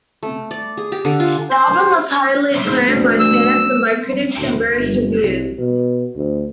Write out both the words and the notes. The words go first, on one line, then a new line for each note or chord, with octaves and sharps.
The album was highly acclaimed by fans and by critics in various reviews.
A3
D5
G#4
G4
D3
F4
C5
G#2
D2
E6
D2
G1
C2
B2
D2